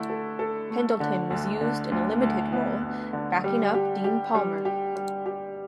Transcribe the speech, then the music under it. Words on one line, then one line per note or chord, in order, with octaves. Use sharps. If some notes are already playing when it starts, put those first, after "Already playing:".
Pendleton was used in a limited role, backing up Dean Palmer.
Already playing: D3 A3 E4
A4
A4
A3
D3
D2
D3
D2
D2
B3
D2
D3
G3
G4
G4
G3
G4
G3
G4